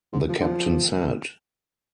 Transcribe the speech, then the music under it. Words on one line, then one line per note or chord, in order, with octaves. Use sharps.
The Captain said.
G#2
F3
D3
F3